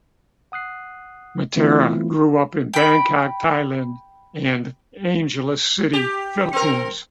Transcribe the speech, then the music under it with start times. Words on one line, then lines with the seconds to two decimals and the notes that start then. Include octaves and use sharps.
Matera grew up in Bangkok, Thailand, and Angeles City, Philippines.
0.52 F#5 D#6 F#6 C7
1.56 E3 A3 B3 C4 E4 F4
2.73 G5 B5
5.93 G4
6.53 C4 A#4